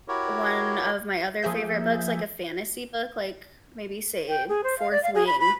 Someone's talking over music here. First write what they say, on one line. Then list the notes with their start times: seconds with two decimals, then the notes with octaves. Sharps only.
one of my other favorite books, like, a fantasy book, like, maybe say, Fourth Wing,
0.08 E4 F#4 G4 A#4 C#5
1.43 F3 A#3 G#4 E5 G6
4.29 G5
4.49 G#4
4.64 C5
4.79 F5
4.91 D5
5.03 F5
5.15 G#4
5.27 B5
5.40 B5